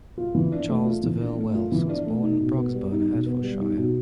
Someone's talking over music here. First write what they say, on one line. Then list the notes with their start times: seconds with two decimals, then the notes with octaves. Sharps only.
Charles De Ville Wells was born in Broxbourne, Hertfordshire.
0.18 F4
0.35 E3
0.52 D4
0.69 A3
0.86 F4
1.03 E3
1.21 D4
1.38 A3
1.55 F4
1.72 E3
1.89 D4
2.06 A3
2.23 D#4
2.41 B2
2.57 B3
2.75 G3
2.92 D#4
3.09 B2
3.26 B3
3.43 G3
3.61 D#4
3.77 B2